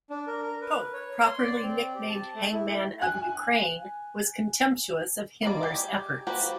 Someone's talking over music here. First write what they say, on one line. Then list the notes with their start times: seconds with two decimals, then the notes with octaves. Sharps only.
Koch, properly nicknamed "hangman of Ukraine," was contemptuous of Himmler's efforts.
0.10 D4
0.27 A#4
0.42 A#4
0.61 B4
0.93 C#5
1.25 C6
1.38 D5
1.62 C4
1.95 G4
2.09 A5
2.35 A3
2.53 E4
3.02 G#5 F#6
5.42 G3 G#3 A#3 D5
5.63 G4 G#4
6.27 F3 A#3 F#4 G4 B4